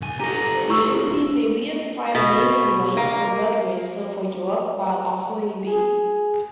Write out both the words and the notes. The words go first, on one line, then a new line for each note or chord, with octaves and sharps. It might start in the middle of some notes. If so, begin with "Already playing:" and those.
Recently, they reacquired naming rights for Budweiser for Europe while offering B.
C2 G#5
G4 A4 A#5
C5
E4 F4 C#6 E6
B2
A#3
G#4